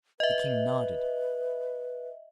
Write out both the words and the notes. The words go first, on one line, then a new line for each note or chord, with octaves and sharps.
The king nodded.
B4 D#5 E5